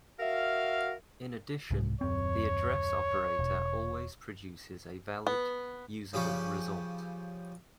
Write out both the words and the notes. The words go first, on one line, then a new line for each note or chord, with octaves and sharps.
In addition, the address operator always produces a valid, usable result.
F#4 A#4 E5 F5
C2 G#2
D#1 F#2 C4 C#5
E1
B3
C#3 F3 G3 C#4